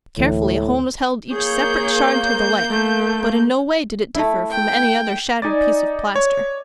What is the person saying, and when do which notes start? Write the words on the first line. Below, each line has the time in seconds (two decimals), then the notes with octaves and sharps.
Carefully Holmes held each separate shard to the light, but in no way did it differ from any other shattered piece of plaster.
0.18 D2 A2 E3
1.32 A#3 G#4 C#5 G6
2.70 A3
4.15 A3 E4
4.51 G5
5.42 D#4 D5 D#5 G#5 A6
6.16 C#5